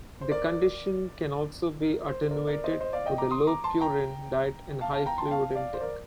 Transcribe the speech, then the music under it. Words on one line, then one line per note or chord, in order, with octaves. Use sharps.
The condition can also be attenuated with a low-purine diet and high fluid intake.
C5
A#4 D5
A#4
C5
A#4 D5
A#4 D5
C5 D#5
C5 D#5
D5 F5
D#5 G5
A#5 D6
C6 D#6
A#5 D6
A5 C6
G5 A#5
F5 A5
F5 A5
G5 A#5
A5 C6
G5
F5 A5
D5 F5
C5
A#4 D5